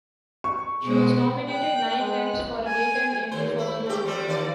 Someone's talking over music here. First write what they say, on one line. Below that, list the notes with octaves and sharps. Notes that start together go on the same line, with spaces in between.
She was nominated nine times for a Daytime Emmy for the role.
C#6
B2 G#3 C5
G5 F#6
G#3 F#6
G#5
D#2 C5
E4
A3 G4
F2 G3 C4
D#2 E3 D5